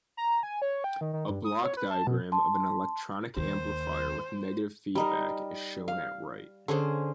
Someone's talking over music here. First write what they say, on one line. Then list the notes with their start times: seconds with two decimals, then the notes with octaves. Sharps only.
A block diagram of an electronic amplifier with negative feedback is shown at right.
0.17 A#5
0.43 G#5
0.62 C#5
0.84 G5
1.01 D#3
1.13 D#3
1.29 G2
1.45 D#6
1.64 C#5
1.77 B4
1.90 A5
2.07 B2
2.32 A5 C6
3.37 D#2 C5
4.95 G3 D#4 A#4
5.88 F5
6.68 D3 C#4 G#4 C5